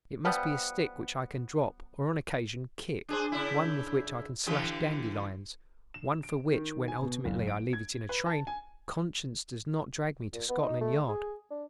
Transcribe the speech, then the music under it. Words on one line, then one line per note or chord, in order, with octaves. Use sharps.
It must be a stick which I can drop, or on occasion kick; one with which I can slash dandelions; one for which, when ultimately I leave it in a train, conscience does not drag me to Scotland Yard.
F3 G3 B3
D4 G#4 C5
C#3 D4 E4
D3 E3 G4
E7
D7
D#3
G#5
B2
F#1
D7
G#6
B4
A5
G#5
A#2
B3
D#4
A3
G#4
D4